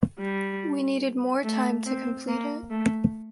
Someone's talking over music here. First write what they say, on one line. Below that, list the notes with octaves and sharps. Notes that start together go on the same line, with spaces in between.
We needed more time to complete it.
G3
A3
C4
A#3
A3